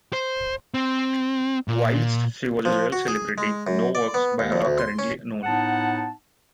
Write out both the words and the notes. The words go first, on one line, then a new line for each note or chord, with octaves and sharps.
Whilst she was a real celebrity, no works by her are currently known.
C5
C4
A#2
F3
F#4
G#4
G#3
F#2
D5
B3
D#2
F2
D2
C6
C#4
A2 B3 D#4 F#5 A5